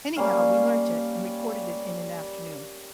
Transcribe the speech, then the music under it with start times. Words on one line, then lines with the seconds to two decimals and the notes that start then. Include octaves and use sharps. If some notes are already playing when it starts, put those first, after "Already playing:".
Anyhow, we learnt it and recorded it in an afternoon.
0.16 G3 A#3 C#4 F5